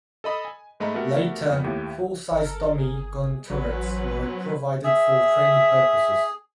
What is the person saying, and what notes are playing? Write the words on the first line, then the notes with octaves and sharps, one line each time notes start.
Later, full-sized dummy gun turrets were provided for training purposes.
A4 D#5 B5 D#6
G#5
G#2 G#3 A3 D#5 A#5 B5
A3 B3 F#4 G4 A#4
F2 B3
D#2 A2 G4
G1 A4 A#4
G#4
A1 F#3 C#4 B4 C5
G#4 E5